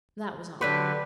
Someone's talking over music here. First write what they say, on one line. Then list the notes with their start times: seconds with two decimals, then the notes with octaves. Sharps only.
That was all.
0.61 D3 F#3 D4 F#4 G4 B4